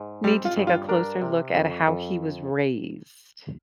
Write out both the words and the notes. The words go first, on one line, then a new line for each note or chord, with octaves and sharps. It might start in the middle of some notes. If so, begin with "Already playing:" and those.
need to take a closer look at how he was raised.
Already playing: G#2
G3 C4
F4
G2
F4
D4 A#4
C3
F2
F2